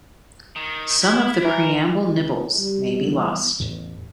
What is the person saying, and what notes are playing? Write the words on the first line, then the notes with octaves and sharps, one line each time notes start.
Some of the preamble nibbles may be lost.
D#3
E4
E3 A#4
C#2
G3
E3 G3 B3
A1 E2 A2